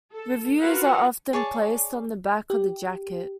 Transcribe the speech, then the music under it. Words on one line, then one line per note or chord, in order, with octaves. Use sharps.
Reviews are often placed on the back of the jacket.
A4
F4 F#4 A#4 B4 F5 F#5
G#4 C#5 D5 A5
G4